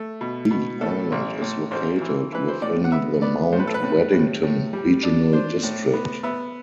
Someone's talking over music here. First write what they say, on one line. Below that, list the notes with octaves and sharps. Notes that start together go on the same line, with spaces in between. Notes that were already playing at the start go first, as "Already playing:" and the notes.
The island is located within the Mount Waddington Regional District.
Already playing: A3
B2
B2
A2 A4
A1
A2
A1 C5
E3
E3 B4
C5
A2 D5
F#5
B3 E5
B3 D5
A2 C5
B4
A4
B4
A2
A2
A2
G3
D4
D4 C5
A2
B3
B3 E5